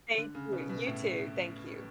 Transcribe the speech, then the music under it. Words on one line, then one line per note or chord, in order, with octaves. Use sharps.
Thank you. You too. Thank you.
D3
C#3
B2
B2
A2